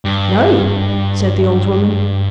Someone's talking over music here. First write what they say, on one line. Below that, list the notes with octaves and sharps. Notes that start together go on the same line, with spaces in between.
"No," said the old woman.
G2